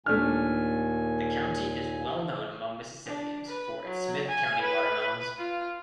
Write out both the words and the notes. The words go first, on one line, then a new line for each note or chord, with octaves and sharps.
The county is well known among Mississippians for its Smith County Watermelons.
D#2 A#2 A3 D4 G#5 F6
D4
B4
F#3
G#5
B4
F4